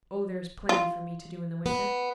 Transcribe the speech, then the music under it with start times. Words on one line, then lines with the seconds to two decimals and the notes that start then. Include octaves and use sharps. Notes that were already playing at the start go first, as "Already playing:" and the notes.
Oh, there is plenty for me to do in the winter.
0.69 F4
1.66 B3